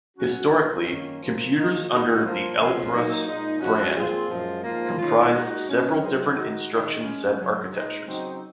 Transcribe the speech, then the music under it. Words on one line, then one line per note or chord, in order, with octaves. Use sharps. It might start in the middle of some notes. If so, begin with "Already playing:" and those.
Historically, computers under the "Elbrus" brand comprised several different instruction set architectures.
C#3 F#3 C#4 F#4
A#2 F3 A#3 F4 G#4
F#2 D#3 A#3 C#4
F3 A#3 C#4
G#2 D#3 A#3 D#4 G#4
D#3 G#3 D#4 F#4
A#2 F3 A#3 F4
C#3 F3 G#3 C#4 F4
A#2 F#3 A#3 D#4
A#2 G#3 D#4
F3 G#3 C#4 F#4
A#2 F3 C4 F4 G#4
F#2 F3 G#3
G#2 F3 A#3 F4
D#3 G#3 C#4 F4
A#2 G#3 D#4 F#4
G#2 F#3 C#4
F#3 C4 D#4 G#4
D#3 G#3 D#4 F#4
G#2 D#3 G#3 D#4
A#2 G#3 C#4
F#2 C#3 F#3
A#2 G#3 D#4 G#4
C#3 F#3 C4 D#4